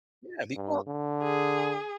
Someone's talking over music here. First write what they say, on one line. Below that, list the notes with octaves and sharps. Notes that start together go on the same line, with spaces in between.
Yeah, the e well,
G2
D3
G#4